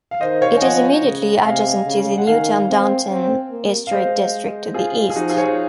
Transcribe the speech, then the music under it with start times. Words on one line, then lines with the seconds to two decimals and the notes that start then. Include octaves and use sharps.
It is immediately adjacent to the Newton Downtown Historic District to the east.
0.11 F5
0.21 D#3 C5 D#5
0.41 C#5 F5
0.57 G#5
0.62 F3 D#5 F#5
1.03 C#3
1.45 C3 F5 G#5
1.86 C#3
2.18 F#5
2.27 D#3 F5 G#5
2.69 C4
3.10 C4
3.51 A#3
3.87 F5
3.92 G#3 C5 D#5
4.74 F4 G#4
5.10 G#4
5.16 F3 D#4 F#4
5.30 F4 G#4
5.38 C#5
5.43 G#4 C5